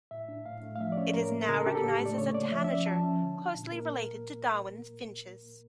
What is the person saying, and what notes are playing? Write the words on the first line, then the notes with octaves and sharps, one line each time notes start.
It is now recognized as a tanager closely related to Darwins finches.
A2 E5
D4
A2 F5
A3
F5
F3 E5
D5
C#4 C#5
A2 A#4
A#3
C#3 A#4
A4
D4 G4
A4
A2
A3
D5
C#3 C#5
A#3 D5
F3 E5
E5
C#4 D5
F3 A5
C#4
D3
D4
A#2
A#3 A#4